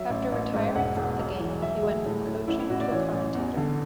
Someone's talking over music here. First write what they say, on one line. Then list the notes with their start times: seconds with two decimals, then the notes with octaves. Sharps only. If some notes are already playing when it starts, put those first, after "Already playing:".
After retiring from the game he went from coaching to a commentator.
Already playing: F#3 E5
0.10 A1
0.32 A1
0.54 G#2
0.75 E1 F#5
0.96 E1
1.18 B1
1.40 E3
1.62 F#3 E5
1.83 D2 G#4
2.05 A2
2.26 A2
2.48 A1 E4
2.59 E4
2.70 A1 F#4
2.80 D5
2.92 E3 C#5
3.13 A1
3.35 E2
3.57 D3